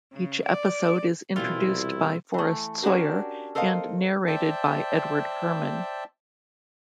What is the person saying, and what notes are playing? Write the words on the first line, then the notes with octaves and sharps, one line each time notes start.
Each episode is introduced by Forrest Sawyer and narrated by Edward Herrmann.
C#3
D5
C2 B2 E3 G3 E4 F4
E3 A3
C#4 D4 F#4 G4 A#4
A4 A#4 C5 D#5 F5
C5 D5 E5 G5 A5